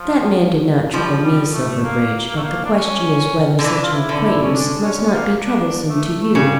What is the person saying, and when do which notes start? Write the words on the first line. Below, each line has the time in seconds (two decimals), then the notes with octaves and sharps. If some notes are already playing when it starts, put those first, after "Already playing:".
"That man did not trouble me, Silverbridge; but the question is whether such an acquaintance must not be troublesome to you."
Already playing: F3
0.94 F3 G3
1.24 G3
1.54 A3
1.84 A#3
2.29 A#3
2.36 A3
2.44 A#3
2.65 D4
2.74 C#4
3.59 D3
3.64 E3 D4
3.82 F4
3.94 E4
4.09 D3
4.24 E4
4.42 C#4
4.54 D4
4.84 C#4
5.14 A#3
5.45 D4
5.90 A3
6.23 A3
6.34 C#3 G3